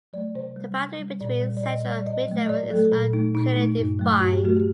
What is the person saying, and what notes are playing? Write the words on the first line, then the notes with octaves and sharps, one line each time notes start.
The boundary between Central and Mid-levels is not clearly defined.
F#3 A3 D5
C3 C5
G3
C3
G3
A#2 D5
G3
D5
A#2 D#5
G3 D5
D5
A2 D#5
F#3 A3
D#5
A2 D5
F#3 A3 A4
A#2
A3 D#4
A#2 D#4
A3 D#4
G2 D#4
F#3 A3
G2 F#4
G4
F#3 A3 F#4
G4